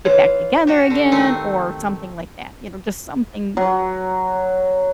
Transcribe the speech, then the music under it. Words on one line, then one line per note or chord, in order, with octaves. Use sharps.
get back together again or something like that, you know, just something
E3 F4 C#5
F#4 G4
D3
D#3 A3 C4
F#3